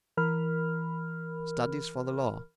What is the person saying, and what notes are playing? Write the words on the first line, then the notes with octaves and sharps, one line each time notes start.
Studies for the law.
E3 A#4 B5 F6